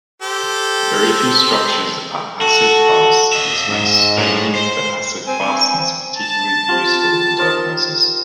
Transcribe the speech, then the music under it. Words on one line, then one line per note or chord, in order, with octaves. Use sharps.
Very few structures are acid-fast; this makes staining for acid-fastness particularly useful in diagnosis.
G4 A4 C5
F#4 A4
D#5 E5
G#2
A2
C5
C4 G#5
A5
F4 G4 C5
D#4 A#4 C5